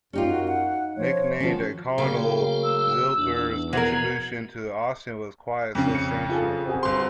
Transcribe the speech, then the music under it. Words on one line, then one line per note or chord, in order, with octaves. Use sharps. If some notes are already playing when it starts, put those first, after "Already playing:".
Nicknamed "the Colonel", Zilker's contribution to Austin was quite substantial.
F#2 C#4 D#4 F4 G4
F#4
F#5
F3 C#5
D#3 F3 C#4 F#4
C#3 F#3 A3 A#3 F5 G5
E6
E2 D4
B2 F3 B3 F#4 A#4 G#6
F2 C#3
C#7
F4 G#4 A4
C4 F#4 G#4
G1 C6